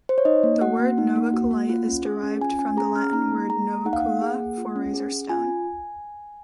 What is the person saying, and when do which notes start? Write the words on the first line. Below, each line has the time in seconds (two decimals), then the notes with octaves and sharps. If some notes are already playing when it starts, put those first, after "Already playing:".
The word novaculite is derived from the Latin word "novacula", for razor stone.
0.09 C5
0.18 C#5
0.25 D#4 D#5
0.43 A#3
0.61 F#4 F#5
0.79 A#3
0.98 D#4
1.16 A#3
1.33 F#4
1.51 A#3
1.70 F4
1.88 C#4
2.05 G#4
2.23 C#4
2.41 F4 G#5
2.59 C#4 G#5
2.77 G#4 A#5
2.96 C#4 F6
3.13 D#4 A#5
3.32 A#3
3.49 G#4 A#5
3.67 A#3
3.85 D#4 F#5
3.93 F5
4.00 A#3 F#5
4.22 G#4
4.40 A#3
4.58 F4
4.76 C#4
4.94 G#4
5.12 C#4
5.29 F4 G#5